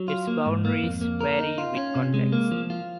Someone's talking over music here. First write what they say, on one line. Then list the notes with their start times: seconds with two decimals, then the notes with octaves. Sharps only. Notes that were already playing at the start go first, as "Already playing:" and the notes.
Its boundaries vary with context.
Already playing: F#3
0.08 F4
0.27 A#3
0.46 G#2
0.65 A#3
0.83 F2
1.01 A#3
1.21 A#4
1.39 D#4
1.58 F4
1.77 C#4
1.95 C3
2.14 G#3
2.32 A#3
2.51 F3
2.70 F4